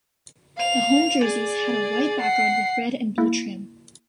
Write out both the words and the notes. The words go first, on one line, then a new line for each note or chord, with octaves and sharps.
The home jerseys had a white background with red and blue trim.
F5 F7
G#4 D5
F#5 C7
A#3 E4